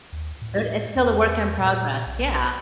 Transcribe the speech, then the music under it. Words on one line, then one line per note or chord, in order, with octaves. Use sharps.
But it's still a work in progress, yeah,
D#2
A2
E2
A#2
B1